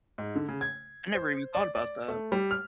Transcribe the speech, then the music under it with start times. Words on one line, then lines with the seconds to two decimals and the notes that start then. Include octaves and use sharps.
I never even thought about that.
0.18 G#2
0.36 D3
0.48 C#3
0.61 G#6
1.15 C5
1.55 D5
1.75 D5
2.08 A3
2.32 G3
2.51 F6